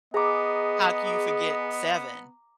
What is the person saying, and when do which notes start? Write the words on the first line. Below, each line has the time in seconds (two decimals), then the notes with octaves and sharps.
how can you forget Seven?
0.14 B3 G#4 D#5 A#5 D6